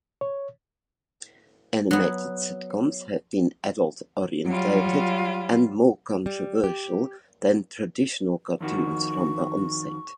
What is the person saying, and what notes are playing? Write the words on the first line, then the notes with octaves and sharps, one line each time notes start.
Animated sitcoms have been adult-oriented and more controversial than traditional cartoons from the onset.
C#5
F#3 B3
F#3 G3 F4
G3
G4
F2 D#3 F#4 C#6